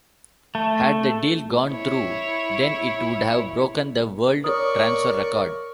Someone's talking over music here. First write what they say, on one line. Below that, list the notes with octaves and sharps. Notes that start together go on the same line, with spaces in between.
Had the deal gone through, then it would have broken the world transfer record.
A3
E4 C#5
A#4 C#5 D5 C#6 D#6